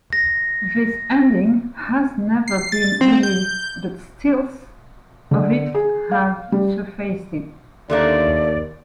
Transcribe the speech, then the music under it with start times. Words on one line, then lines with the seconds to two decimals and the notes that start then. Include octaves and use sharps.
This ending has never been released, but stills of it have surfaced.
0.13 A#6
2.48 C7
2.72 A6
3.01 C4
3.23 G6
5.31 D3
5.75 G#4
6.12 F5
6.52 G3
7.90 D#2 D3 A3 A#3 D5